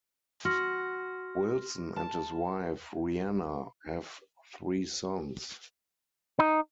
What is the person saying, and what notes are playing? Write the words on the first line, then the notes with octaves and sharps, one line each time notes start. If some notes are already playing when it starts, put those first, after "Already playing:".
Wilson and his wife Reanna have three sons.
F#4 C6 F6 A#6
A5
D#4